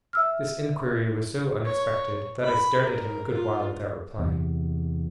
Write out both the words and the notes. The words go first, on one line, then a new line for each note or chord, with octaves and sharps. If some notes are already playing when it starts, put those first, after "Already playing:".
This inquiry was so unexpected that I stared at him a good while without replying.
E5 E6 F6
C#5
B5
A#4
F4
E2 C3